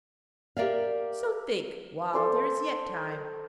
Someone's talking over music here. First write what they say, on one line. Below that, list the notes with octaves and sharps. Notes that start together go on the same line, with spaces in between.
So think, while there is yet time.'
G4 A#4 D5 E5 F5
A4 C5 D5